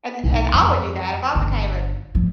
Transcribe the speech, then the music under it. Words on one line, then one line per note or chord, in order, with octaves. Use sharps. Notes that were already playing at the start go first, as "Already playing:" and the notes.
And and I would do that if I became a
B1 D#4
F2
G1 D3
F3